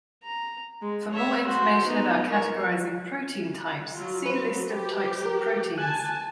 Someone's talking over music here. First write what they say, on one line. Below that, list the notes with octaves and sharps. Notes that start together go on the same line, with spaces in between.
For more information about categorizing protein "types", see List of types of proteins.
A#5
G#3
C#5 E5
F#4 C5
B3 D#4
A#4 C#6
F#3 F4
F#3 B4 C5
G4
A#4
G#5 A5 F#6